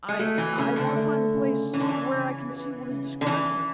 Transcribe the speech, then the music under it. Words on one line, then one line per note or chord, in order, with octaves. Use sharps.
I--I--want to find the place where I can see what is described here.
G#3
A3 F#4
E3
C#3 A3
D3
A3
C#3
E3 C#4
D3
E3
C#3
B3
C#3
D3
E3 C#4